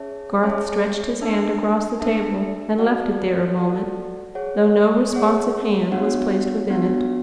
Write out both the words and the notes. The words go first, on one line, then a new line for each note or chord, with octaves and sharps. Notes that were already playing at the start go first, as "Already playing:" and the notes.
Garth stretched his hand across the table, and left it there a moment; though no responsive hand was placed within it.
Already playing: C#4 G#4 C#5 E5 A5
C#4 G#4 C#5 E5 A5
D4 A4 E5 A5
D4 A4 E5 A5
F#4 A4 D5 F#5 A5
F#4 A4 D5 F#5 A5
G#4 C#5 F#5
G#4 C#5 F#5
B3 D4 F#4 C#5 F#5
B3 D4 F#4 C#5 F#5